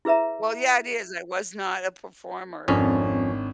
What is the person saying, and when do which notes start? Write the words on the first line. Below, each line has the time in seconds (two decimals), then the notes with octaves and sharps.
Well, yeah, it is, I was not a performer.
0.05 E4 G#4 B4 E5 A#5
2.68 G#1 F2 C#4 D4 C#5